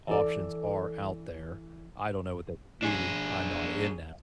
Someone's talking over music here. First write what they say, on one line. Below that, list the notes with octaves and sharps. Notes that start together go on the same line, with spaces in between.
options are out there. I don't know what that would be. I'm not in NASA.
E3 A4 D5
D4 G#4